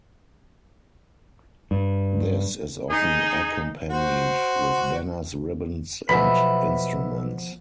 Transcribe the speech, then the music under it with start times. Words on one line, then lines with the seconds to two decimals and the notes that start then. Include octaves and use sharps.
This is often accompanied with banners, ribbons and, instruments.
1.71 G2
2.90 D#4 G#4
3.90 F#4 C5
6.09 B1 F3 B3 E5 G#5 B5